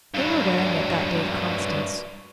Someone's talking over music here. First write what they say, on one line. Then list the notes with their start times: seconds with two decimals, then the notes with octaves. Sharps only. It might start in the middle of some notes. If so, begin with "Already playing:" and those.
They were wearing it that day to Constance.
0.14 G2 F#3